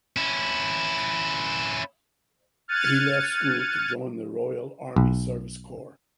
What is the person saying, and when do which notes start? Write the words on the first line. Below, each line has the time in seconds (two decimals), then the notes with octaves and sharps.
He left school to join the Royal Army Service Corps.
0.17 C#4 E4
2.68 F6 F#6 G#6 A6 C#7 D#7
4.96 B1